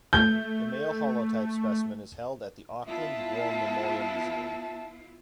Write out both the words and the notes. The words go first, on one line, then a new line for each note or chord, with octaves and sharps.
The male holotype specimen is held at the Auckland War Memorial Museum.
A3 G6
B3 E4 F4 E5 A5